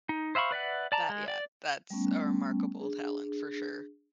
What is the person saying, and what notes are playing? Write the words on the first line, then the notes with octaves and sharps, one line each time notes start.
That yeah, that's a remarkable talent for sure.
D#4
C5 E5 F5 B5 C#6
B4 D5 E5 F#5
D5 A5 A#5
G#3
D5
G3 A3 B3 C#4
D4 G#4